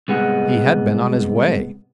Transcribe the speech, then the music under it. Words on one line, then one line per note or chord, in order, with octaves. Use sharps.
He had been on his way.
C2 G#2 G#3 B3 F#5